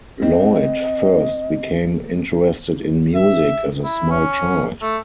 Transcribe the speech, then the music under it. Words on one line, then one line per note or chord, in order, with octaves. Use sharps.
Lloyd first became interested in music as a small child.
C4 D#5
E5
E4
C#4
A3